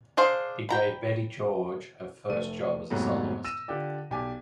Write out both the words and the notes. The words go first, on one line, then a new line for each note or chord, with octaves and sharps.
He gave Betty George her first job as a soloist.
D4 G#4 C5 F5
G5 A#5 B5
F1 A3 D#7
F2 G#2 C3 F#3 A3 B3
E6 A#6 D#7 E7
D3 F4 G4 D5
B1 G4 D5 G#5 D6